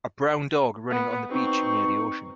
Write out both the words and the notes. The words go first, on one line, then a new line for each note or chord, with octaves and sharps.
A brown dog running on the beach near the ocean.
B3
B2 C4 D#4 C#6